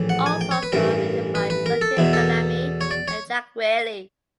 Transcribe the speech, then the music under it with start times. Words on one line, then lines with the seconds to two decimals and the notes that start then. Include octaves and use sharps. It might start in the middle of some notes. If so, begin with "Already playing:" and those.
All songs are written by Duncan Bellamy and Jack Wyllie.
Already playing: A#1 A2 E3
0.09 F#5
0.26 G#5
0.41 G5
0.51 C#5
0.63 B4
0.72 A1 G2 E3 A#4
1.35 B4
1.50 B4
1.66 A#4
1.81 A4
1.97 E2 B2 E4
2.13 A4
2.81 C#5
2.91 D5
3.08 C#5